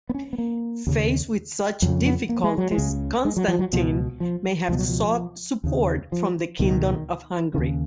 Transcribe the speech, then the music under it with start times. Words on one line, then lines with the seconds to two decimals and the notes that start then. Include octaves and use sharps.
Faced with such difficulties, Constantine may have sought support from the Kingdom of Hungary.
0.09 B3
0.14 C#4
0.33 B3
0.38 A#3
0.87 D#2 C#3
1.82 F2 F#3
1.86 C#3
2.06 B3
2.29 A#3
2.44 G#3
2.58 F#3
2.71 G#3
2.78 C#2 C#3
3.25 G#3
3.37 F#3
3.48 F3
3.59 F#3
3.73 C#2 B2 F3
4.20 F3
4.68 C#2 B2 F3
4.79 F#3
4.88 F3
5.64 D#2 C#3
6.12 F3
6.59 C#2 B2 D#3
7.54 D#2 C#3